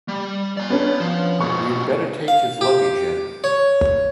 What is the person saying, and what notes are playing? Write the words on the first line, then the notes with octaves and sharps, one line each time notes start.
We'd better take his luggage in.
G3
D5 A#5
B3 C#4 D4
F3
G#2 B2 C#6
F5
G4
C#5